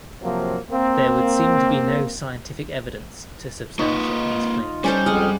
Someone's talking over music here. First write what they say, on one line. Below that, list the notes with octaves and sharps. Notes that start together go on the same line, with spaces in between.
There would seem to be no scientific evidence to substantiate these claims.
C3 F3 F#3 A#3
A#3 C4
A#3 D#4 F4 B4 C#6
G3 C#4 A4 C5
F2 G#3 F#5 D#6 F6